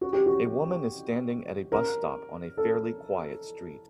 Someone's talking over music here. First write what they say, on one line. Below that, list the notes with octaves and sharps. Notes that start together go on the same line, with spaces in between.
A woman is standing at a bus stop on a fairly quiet street.
F#4
G4
F#4
A#4
A4